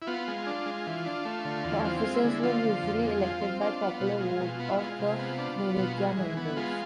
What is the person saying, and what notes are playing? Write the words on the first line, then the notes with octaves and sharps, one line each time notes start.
The officers were usually elected by popular vote of the militia members.
E4
B3 F4
G#3
D4
G#3
E3
D4
A3
D3
E2
C4 F4
G#3
E4
D3
F3 F4
D3
F2
G#3
F3
C4
D4 F4
B3
B2
G#3
B2
B3
E4
G#3 F4
C3
B3
D4
B3
B2
G#3
E3
B3
G#3 F4